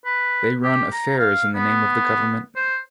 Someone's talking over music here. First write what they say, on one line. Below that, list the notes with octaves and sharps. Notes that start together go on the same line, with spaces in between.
They run affairs in the name of the Government.
B4
G4
A#5
F5
B3
C5